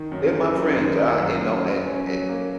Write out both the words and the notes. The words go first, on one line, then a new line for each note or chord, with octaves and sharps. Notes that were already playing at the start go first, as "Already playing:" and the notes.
They're my friends. I you know, and and
Already playing: D#3
F#2
F#2
F#2
D#3
F#2
F#2
F#2
F#3
C#4
F#3
A#3